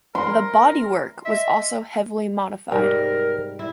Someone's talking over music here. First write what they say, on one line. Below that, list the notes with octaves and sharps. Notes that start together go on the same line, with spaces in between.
The "bodywork" was also heavily modified.
A#4 C6
D#5 E5
G#2 C3 G3 A#4
E4